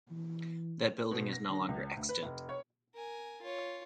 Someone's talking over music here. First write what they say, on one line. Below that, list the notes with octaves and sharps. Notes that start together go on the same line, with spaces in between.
That building is no longer extant.
E3
B2
A#6
D3
C#2
D2
B4
F1
C#5
A#4 G#5
F4 C#5